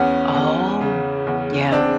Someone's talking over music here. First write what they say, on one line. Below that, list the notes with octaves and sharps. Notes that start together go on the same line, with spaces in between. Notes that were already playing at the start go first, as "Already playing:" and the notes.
Oh yeah,
Already playing: E2 B3 C#4
E2
C#3
E2
E2 C4 D4